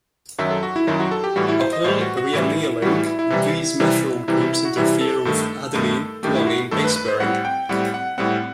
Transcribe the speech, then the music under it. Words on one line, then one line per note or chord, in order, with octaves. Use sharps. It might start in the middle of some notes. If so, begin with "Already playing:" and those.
Upon re-annealing, these methyl groups interfere with adenine-guanine base-pairing.
F#2 D#3 F#3 E5
A4
F#4
E4
F#2 D#3 F#3 E4
F#4
A4
G4
A2 E3 G3 F#4
E4
C5
D#5
A2 E3 G3 C5
F#4
F#4
A2 E3 G3 E4
A2 E3 G3 F#4
E4
E4
C3 E3 G3
C3 E3 G3
C3 E3 G3 E4
E4
E4
F#4
C3 E3 G3 E4
A4
G2 D#3 A3 A4
G2 D#3 A3
G2 D#3 A3 G4
E4
F#4
G2 D#3 A3 A4
B4
B4
C5
A2 G3 C4 F#5
G5
A2 G3 C4 F#5
F#5
A2 G3 C4 F#5